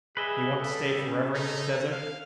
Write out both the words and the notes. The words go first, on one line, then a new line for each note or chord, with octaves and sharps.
"Do you want to stay forever in this desert?"
G3 G#4 B4 D#5 E5
A4
C#4
D#4 A4
F5